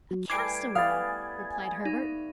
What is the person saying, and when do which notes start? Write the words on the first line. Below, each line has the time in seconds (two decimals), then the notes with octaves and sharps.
"A castaway!" replied Herbert.
0.11 F#3
0.30 E3 G3 A3 G#5 D6 C7 D7
0.75 E3 G3 B3 F5 D#6 A6
1.85 D#4